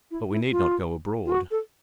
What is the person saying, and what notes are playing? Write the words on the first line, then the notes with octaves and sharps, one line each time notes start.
But we need not go abroad.
E4
E4
F4
F4
F#4
A4